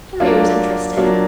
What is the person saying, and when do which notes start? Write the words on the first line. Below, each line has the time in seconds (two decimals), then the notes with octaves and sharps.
Henry was interested.
0.20 F#3 A#3 D4 F4
0.97 F#3 A#3 D4 F4